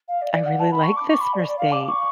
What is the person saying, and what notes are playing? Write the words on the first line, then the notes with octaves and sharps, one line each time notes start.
I really like this first date.
F5
D5
D5
F#5
A5
B5
C#6
D6
C#6
B5
D5
D5
F5
D6
D6
C#6